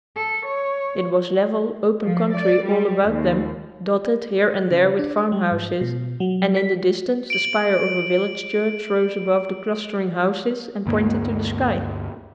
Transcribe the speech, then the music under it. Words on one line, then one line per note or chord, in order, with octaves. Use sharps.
It was level, open country all about them, dotted here and there with farmhouses, and in the distance the spire of a village church rose above the clustering houses and pointed to the sky.
A4
C#5
F3
D5
G3
D#2
C#3
D4
G3
G#2
B2
F#3
B6
D7 F#7
D2 G2 A#3